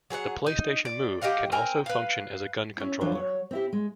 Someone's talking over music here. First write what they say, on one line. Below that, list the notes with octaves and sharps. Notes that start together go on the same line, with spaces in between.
The PlayStation Move can also function as a gun controller.
F#3 G#4 B4 F#5
D#4
D5
G4 D#5 F5 F#5
C4 A#4 G#5 A#5
B4 F5
C#4 E4
E3 F#3 D4 F4 C5 C#5
F#3 C#5
C4 E4 G4
G#3